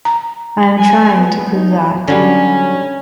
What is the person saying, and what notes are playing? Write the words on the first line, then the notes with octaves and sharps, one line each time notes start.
I am trying to prove that.
A#5
G#5
B3
D#4
D3 F#3 G3 C#4